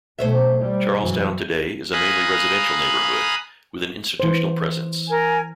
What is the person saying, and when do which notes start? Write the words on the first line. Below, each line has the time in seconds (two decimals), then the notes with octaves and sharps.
Charlestown today is a mainly residential neighborhood with an institutional presence.
0.19 B1 B2 A3 C5 C#5 E5
0.61 G3
1.01 F#2 E3
1.92 F5 G#5 A#5 B5 D#6 F#6
4.20 E3 C5
5.08 A#4 G#5